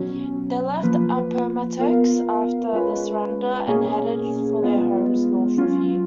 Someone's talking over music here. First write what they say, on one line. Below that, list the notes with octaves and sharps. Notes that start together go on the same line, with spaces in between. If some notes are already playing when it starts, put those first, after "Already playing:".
They left Appomattox after the surrender and headed for their homes north of here.
Already playing: B2 F#3 C#4
F3 A#3 F4 B4
B3 F4 A#4 F5
G#3 C#4 F4 B4
B2 A#3 C#4 G#4
G#3 B3 F4
F#3 C#4 F4